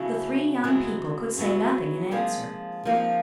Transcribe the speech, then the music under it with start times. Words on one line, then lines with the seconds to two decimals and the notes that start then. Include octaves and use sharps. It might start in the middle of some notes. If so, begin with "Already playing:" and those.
The three young people could say nothing in answer.
Already playing: C#3 F#3 A3 B3 E4
0.64 C#3 F#3 G#3 B3 E4 G#4
1.38 C#3 F#3 B3 E4
2.11 C3 F3 G#3 A#3 D#4 G#4
2.85 C3 F3 A#3 D#4